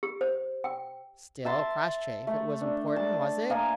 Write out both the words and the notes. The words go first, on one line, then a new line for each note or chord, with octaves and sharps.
"Still, Crossjay, if it was important--was it?"
G4
C5
G5
E5 A5 C6
A3
D4
A5
A#3 D#5 G#5